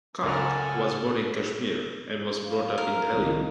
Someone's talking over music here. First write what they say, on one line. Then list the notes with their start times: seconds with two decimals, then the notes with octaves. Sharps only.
Kak was born in Kashmir and was brought up in Delhi.
0.23 C#2 A4 A#4 F#5 G#5 D#6 F6
2.43 F5
2.78 A#4
3.15 C2 D#3